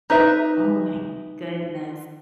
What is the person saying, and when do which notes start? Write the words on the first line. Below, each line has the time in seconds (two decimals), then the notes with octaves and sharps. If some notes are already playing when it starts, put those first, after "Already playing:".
Oh my goodness.
0.10 D#4 B4 E5